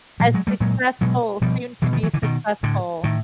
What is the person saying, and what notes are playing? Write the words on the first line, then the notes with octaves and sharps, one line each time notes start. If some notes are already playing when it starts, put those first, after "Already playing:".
As successful, soon to be successful.
A#2 F3 G3
F#3 G#3
G3 A3
A#2 F#3 G#3
B2 F#3 G#3
B2 F3 G3
B2 E3 F#3
D#3 F3
E3 F#3
D3 E3
B2 D#3
A2 D3
A2 D#3